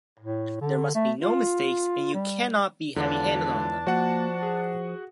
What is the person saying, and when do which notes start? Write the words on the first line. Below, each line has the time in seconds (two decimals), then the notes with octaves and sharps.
There must be no mistakes and you cannot be heavy-handed on them.
0.19 A2
0.61 D3
0.95 A3
1.21 F4
2.14 G3
2.96 E2 G#2 D3 D4 F4 C#5 A5
3.87 F3 A#3 F#4 F#5
4.43 G#4